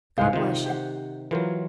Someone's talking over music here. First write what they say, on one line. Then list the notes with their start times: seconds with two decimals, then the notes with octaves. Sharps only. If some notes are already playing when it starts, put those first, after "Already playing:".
'God bless you!
0.18 C2 G#2 B4 C5 F5
0.33 C3 D#3 F4
0.66 G4 C5 F#5
1.31 E3 F#3 F4 A#4 C5